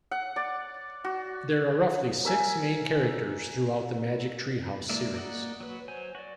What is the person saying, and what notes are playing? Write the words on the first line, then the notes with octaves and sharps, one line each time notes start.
There are roughly six main characters throughout the Magic Tree House series.
F#5
D5
F#4
A#4 E5 G#5
E3 G#3 A#3 D5 E5
A#3 A#4 D5 D#5 F#5
F#3 B4
F#3 C5 G#5
F#4 D5